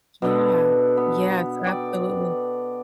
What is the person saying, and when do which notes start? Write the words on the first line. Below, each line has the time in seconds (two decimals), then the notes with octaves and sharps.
qYeah. Yes, absolutely.
0.22 B2 B3 D4 A4
0.97 B3
1.64 D5 G5